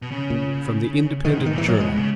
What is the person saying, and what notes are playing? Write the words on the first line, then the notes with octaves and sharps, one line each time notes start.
From The Independent Journal.
B2
C#3
A#2
B2 D#3
G#2
D#3
A#2 E3
G#2 F#3
B2 G#3
C#3